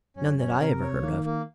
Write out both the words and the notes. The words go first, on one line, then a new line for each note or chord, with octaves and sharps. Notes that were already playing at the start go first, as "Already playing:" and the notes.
"None, that I ever heard of."
F#2 C#4
C#4
C3 A#4
C#5
D#3 A#3
A#3